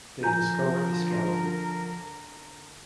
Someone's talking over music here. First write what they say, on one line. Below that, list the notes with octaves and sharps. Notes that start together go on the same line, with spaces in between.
They discover the skeleton.
D3 F3 A#4 G#5 A#5 G6